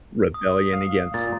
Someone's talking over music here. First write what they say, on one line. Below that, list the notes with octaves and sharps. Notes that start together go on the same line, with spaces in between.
rebellion against
D#6
F5
A#2 A6